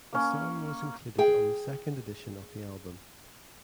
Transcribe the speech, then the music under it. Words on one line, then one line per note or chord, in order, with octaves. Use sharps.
The song was included on the second edition of the album.
A#3 C#4
G#4 G5